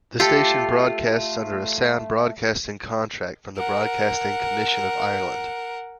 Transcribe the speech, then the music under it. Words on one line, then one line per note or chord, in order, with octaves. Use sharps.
The station broadcasts under a sound broadcasting contract from the Broadcasting Commission of Ireland.
A3 F4 G4 A4
A#4 F#5